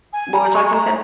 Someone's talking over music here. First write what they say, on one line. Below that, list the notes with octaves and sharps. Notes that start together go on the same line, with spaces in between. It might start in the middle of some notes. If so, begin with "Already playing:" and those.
What was the last thing you said?
G#5
A#5
C#6
C#6
A#5